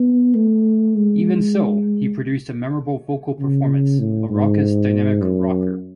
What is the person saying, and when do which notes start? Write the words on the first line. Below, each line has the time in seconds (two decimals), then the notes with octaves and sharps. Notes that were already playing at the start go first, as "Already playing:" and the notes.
Even so, he produced a memorable vocal performance: a raucous, dynamic rocker.
Already playing: B3
0.35 A3
0.96 G#3
3.40 C#3
3.99 A2
4.30 G#2
5.21 F#2